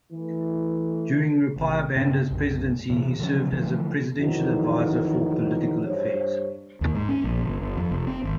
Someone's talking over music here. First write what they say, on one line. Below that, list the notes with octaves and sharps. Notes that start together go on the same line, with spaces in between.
During Rupiah Banda's presidency, he served as a Presidential Advisor for Political Affairs.
E3 A3
A1 C3
G2 B2 C4 D4
B1 F#2
A2 C3 E3
D3 F3 F#3 C#4
D3 E3 F3 A3
F2 D#3 E3 F#3 D#4
G2 C5 C#5
D#2
G#2
C#4
A#1
G1
G1
F2
F1
C4
G#1